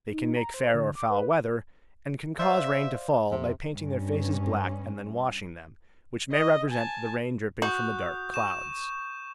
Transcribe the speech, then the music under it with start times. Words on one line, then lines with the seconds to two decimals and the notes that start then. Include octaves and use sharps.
They can make fair or foul weather, and can cause rain to fall by painting their faces black and then washing them, which may represent the rain dripping from the dark clouds.
0.11 D#4
0.36 A#5
0.54 C5
0.74 D3
0.95 D6
1.10 B4
2.39 C5 D5 E5 F5
3.31 F2 C3
3.72 G2 C#4
6.33 D#5
6.70 G#5 A5
7.62 F#4 D#6 G6
8.34 C#6 E7